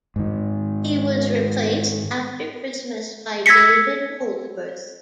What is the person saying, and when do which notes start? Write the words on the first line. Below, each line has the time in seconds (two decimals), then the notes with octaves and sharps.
He was replaced after Christmas by David Holdsworth.
0.16 G#2 D#3
3.46 E6 G#6 A#6 B6 C#7